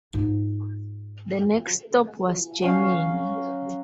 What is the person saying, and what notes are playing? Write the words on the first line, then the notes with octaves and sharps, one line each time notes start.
The next stop was Germany.
G#2 F4
F#3 C#4 F5